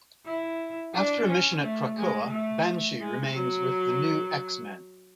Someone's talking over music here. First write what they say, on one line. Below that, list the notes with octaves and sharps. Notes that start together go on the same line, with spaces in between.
After a mission at Krakoa, Banshee remains with the "New X-Men".
E4
D4
C#4
A3
G#3
A3
G#3
F#3